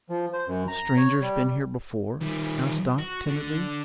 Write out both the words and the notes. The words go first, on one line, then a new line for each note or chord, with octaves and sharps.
"Have strangers been here before?" asked Dot, timidly.
F3
C5
F#2
A#5
C#5
G3
D#3 G3
F#4
D3